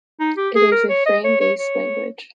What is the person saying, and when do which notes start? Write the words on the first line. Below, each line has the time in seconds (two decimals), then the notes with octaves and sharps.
It is a frame-based language.
0.20 D#4
0.37 G4
0.55 G#4
0.72 A#4
0.89 C#5
1.06 D#5
1.24 C#5
1.41 C#5
1.59 C#5